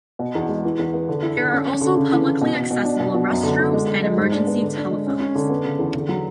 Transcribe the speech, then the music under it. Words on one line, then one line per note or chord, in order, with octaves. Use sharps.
There are also publicly accessible restrooms and emergency telephones.
B2
E2
G#3
E3
E2
B3
D3
E4
D3
C#4
C#4
D3
C#3
E3
E3
B2
B2
B2
D4
B2
B2
F#2
D3
D3
G#3
D3
G#3
G#2
D4
B3
D3
D4
G#3
C#4
C#4
D3
B3
C#3
E2
D3
F#3